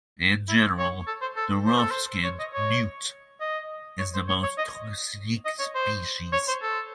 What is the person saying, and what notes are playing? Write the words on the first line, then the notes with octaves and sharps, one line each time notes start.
In general, the rough-skinned newt is the most toxic species.
E4
C#5
A4
C5
A4
C5
A4
C5
C#5
D#5
C#5
D#5
C#5
C5
C#5
C#5
D#5
D#5
C#5
C5
C#5
C5
A4